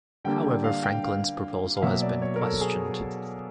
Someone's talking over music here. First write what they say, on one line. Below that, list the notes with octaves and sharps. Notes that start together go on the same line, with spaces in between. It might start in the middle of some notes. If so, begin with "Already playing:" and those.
However Franklin's proposal has been questioned.
D3 G3 A#3 D4 G5
G5
F5
G5
F5
F5
B2 F#3 A#3 E5
D5
C#5
A#4
A4
G#4